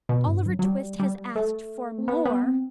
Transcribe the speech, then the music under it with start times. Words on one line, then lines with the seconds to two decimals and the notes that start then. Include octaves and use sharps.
Oliver Twist has asked for more!'
0.09 B2
0.27 G2
0.46 F#3
0.59 F#3
0.64 G3
1.00 G3
1.36 A3
1.98 C4
2.08 B3
2.25 B3
2.43 C4